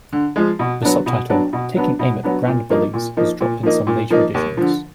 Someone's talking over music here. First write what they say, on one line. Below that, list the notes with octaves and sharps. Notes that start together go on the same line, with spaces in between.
The subtitle, "Taking Aim at the Brand Bullies", was dropped in some later editions.
D3
F3 G#3
B2
F#3 B3 D4
B2
F#3 B3 D4
B2
F#3 B3 D4
B2
F#3 B3 D4
A#2
F3 A#3 D#4
A#2
F3 A#3 D#4
A#2
F3 A#3 D#4
A#2
F3 A#3 D#4
D#2
D3 F3